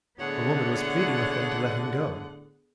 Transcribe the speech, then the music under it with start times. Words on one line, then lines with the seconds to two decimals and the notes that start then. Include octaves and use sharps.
The woman was pleading with them to let him go.
0.19 A2 D3 B3 G#4 C#5 F#5